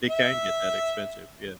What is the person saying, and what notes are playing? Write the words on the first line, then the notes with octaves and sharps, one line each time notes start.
they can get that expensive, yeah.
E5